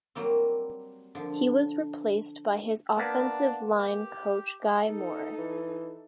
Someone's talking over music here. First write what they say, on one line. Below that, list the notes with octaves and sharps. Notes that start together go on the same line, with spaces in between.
He was replaced by his offensive line coach Guy Morriss.
F#3 G3 A#3 C4
D3 F3
A#3 B3 D4
G4
D#4 A4
E3